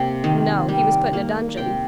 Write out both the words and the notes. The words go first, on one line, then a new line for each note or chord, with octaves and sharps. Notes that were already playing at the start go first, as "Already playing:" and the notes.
"No; he was put in a dungeon."
Already playing: C3 A#3 G5
D#3
G3
A#3
C3 G5